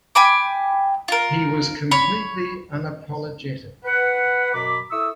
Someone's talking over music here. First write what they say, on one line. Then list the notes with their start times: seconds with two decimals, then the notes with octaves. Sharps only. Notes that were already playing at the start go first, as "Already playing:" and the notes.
He was completely unapologetic.
0.15 G5 G#5 B5 D6
1.08 F4 A#4
1.91 C#5 B5
3.85 B4 F#5
4.53 F#2 B2 A#5 B5 D6
4.91 E4 A4 C#6 D#6 E6